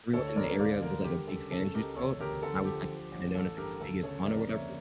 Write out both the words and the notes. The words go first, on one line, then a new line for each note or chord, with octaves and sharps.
everyone in the area was like a big fan of Juice WRLD and I was like kind of known as like the biggest one or whatever,
D2 A4 C#5
C#5
D2 A#4 D5
D2 D5 F5
D3 A#4 D5
G3 G4 A#4
C#3 A4
C#3 A4
C#2 G4 A#4
E1 A4 C#5
D2 G4 A#4
D3 A4
F3 G4
F3
A1
A1 A4
G2 G4 A#4
D2 A4
C#3 A4 C#5
E5
F2 A#4 D5
A#3 C#5 E5